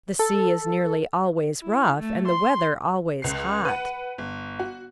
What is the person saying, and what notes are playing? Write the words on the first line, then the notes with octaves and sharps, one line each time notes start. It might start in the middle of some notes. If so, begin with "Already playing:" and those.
The sea is nearly always rough and the weather always hot.
A4
E4
A3
C6
C#2 C7
B4 F#5
G1
F#4